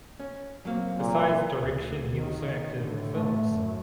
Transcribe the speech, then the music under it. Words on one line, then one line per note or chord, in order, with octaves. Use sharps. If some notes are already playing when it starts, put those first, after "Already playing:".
Besides direction he also acted in films.
C#4
F#3 A#3 C4
A#2
D2
D#3
A2 D3
A3
F#2